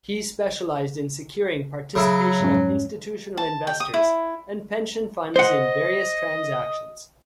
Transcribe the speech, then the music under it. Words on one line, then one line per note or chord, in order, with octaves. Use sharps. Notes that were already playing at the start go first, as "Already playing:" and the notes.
He specialized in securing participation of institutional investors and pension funds in various transactions.
C#3 F#3 E4
F2 G#2 C#4
A5
G5
D#6
E4
C5 D#5 F#5